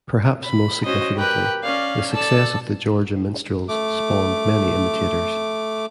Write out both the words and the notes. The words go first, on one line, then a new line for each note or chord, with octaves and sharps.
Perhaps most significantly, the success of the Georgia Minstrels spawned many imitators.
B5
C#4 F#4 C5 D#5
G4 A#4 B4 G5 F#6
C#4 D5 F5
A4 D5 A5 E6
A3 D6